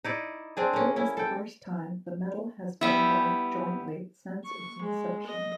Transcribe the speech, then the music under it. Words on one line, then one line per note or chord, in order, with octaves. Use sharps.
It was the first time the medal has been won jointly since its inception.
D#4 E4 D5
C4 D4 G#4
A#3 C#4
C#4 E4
A4 G5
G3 B3 E4
C#6
G#3
D#5